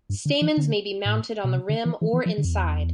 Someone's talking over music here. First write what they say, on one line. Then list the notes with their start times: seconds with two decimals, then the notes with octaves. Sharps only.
Stamens may be mounted on the rim or inside.
0.10 G2
0.25 D3
0.42 E3
0.57 D3
1.05 A2
1.44 B2
1.54 C3
1.69 D3
1.85 E3
2.01 E3
2.13 E3
2.26 F3
2.38 D3
2.45 F2
2.50 E2